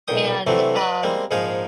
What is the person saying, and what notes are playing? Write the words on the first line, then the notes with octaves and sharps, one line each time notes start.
And, um
B1 A#2 G5 D#6
C3 E3 F#3 A3 C4 D4
B4 D5 D#5
G3 G#3 A#3 C4
A#1 G#2 F3 D#4 G#4 F5